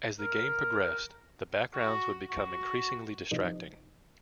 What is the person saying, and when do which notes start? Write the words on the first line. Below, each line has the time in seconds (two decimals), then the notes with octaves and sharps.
As the game progressed, the backgrounds would become increasingly distracting.
0.18 A#4
1.74 F#4
2.28 F#4
3.31 C3 F3 D#4